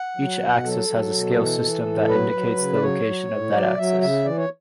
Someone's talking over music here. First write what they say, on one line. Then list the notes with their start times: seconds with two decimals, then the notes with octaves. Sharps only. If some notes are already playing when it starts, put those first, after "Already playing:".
Each axis has a scale system that indicates the location of that axis.
Already playing: F#5
0.17 F#3
0.41 B2
0.64 F#3 A4
0.88 F#3
1.12 B2
1.36 E3
1.60 E3
1.85 A2
2.08 F#3 B4
2.32 F#3
2.57 C#3
2.74 D5
2.81 F#3 C#5
3.05 F#3
3.29 A2
3.52 F#3 D5
3.77 F#3 E5
4.01 C#3 E5
4.25 E3 D5
4.37 C#5